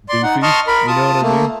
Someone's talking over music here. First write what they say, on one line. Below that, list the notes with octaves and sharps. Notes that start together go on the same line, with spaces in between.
goofy, you know what I mean?
D5 C6
D#4 F#5
D#5 A5 C6 C#6 D#6 F6
A#4 B5
F4 A5 D#6
A3 A#3